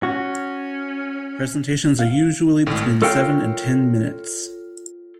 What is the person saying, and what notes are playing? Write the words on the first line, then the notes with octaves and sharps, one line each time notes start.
Presentations are usually between seven and ten minutes.
C#4 F#4
F5
G#1 A2
F4 A4 A#4 C#5 F5 G5